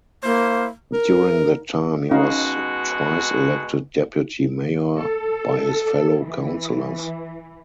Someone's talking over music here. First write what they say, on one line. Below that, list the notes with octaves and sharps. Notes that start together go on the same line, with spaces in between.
During that time he was twice elected Deputy Mayor by his fellow Councillors.
A#3 E4 C5
A#4
B2 G#3 C#4 D#4 F#4 F5
A4
E3